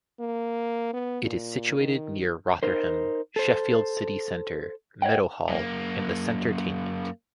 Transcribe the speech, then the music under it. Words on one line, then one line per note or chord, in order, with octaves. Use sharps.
It is situated near Rotherham, Sheffield City Centre, Meadowhall and the Centertainment.
A#3
B3
A#2
D#3
D#4 A#4 C5
A4 C5
C#5 D#5 F#5 G5
F#2 A#3